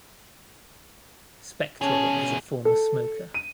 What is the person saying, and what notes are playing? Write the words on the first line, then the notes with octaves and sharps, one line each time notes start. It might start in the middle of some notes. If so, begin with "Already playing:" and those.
Spektor is a former smoker.
B2 C#4 G#4 A5
A4
D#7